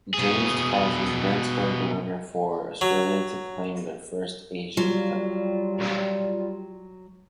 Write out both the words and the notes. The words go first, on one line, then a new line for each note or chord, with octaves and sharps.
James Troisi then scored the winner for Australia to claim their first Asian Cup.
B2 G#4
F#3
F#3 G3 F4